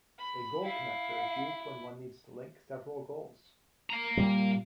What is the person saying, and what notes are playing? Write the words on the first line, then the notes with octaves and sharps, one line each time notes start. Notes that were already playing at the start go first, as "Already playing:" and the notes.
A goal connector is used when one need to link several goals.
B5
E4 F5
F5 A#5
A#2 G3